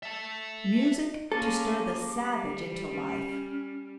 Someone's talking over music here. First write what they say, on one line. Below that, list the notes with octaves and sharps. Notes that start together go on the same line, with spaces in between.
Music to stir the savage into life.
E5 A5
G#3 A#3 C#4 A4 D6
G3
C#4